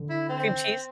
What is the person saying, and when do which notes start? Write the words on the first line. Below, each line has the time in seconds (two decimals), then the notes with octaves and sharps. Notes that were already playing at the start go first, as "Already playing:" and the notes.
Cream cheese?
Already playing: D3
0.10 E4
0.29 C4